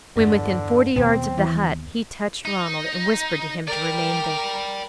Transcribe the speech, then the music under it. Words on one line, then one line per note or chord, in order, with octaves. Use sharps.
When within forty yards of the hut, he touched Ronald and whispered to him to remain there.
E2 G2 D3
D#2 B2 B3 C4
E3
D#4
A#4 D5 G5